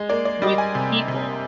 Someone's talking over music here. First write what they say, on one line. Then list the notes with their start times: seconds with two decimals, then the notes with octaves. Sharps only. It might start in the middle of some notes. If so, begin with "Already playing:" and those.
with people,
Already playing: G#3
0.09 A#3 D5
0.25 D5
0.42 G3 D#5
0.58 G#5
0.75 C3
1.08 C3